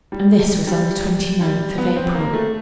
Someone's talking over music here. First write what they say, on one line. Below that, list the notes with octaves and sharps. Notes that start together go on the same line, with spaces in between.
And this was on the twenty-ninth of April.
G3
G3
G3
B3
C4
A#3
A3